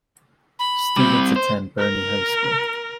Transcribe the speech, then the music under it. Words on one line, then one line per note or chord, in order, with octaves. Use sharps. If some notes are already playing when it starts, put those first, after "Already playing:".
Students attend Bernie High School.
B5
G3 C4
C5
A#4